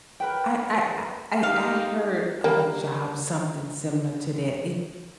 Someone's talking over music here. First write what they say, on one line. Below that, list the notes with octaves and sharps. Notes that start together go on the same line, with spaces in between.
I I I I I heard of a job something similar to that. It
A#4 B4 G5
D#4 G4 F5
G3 A#3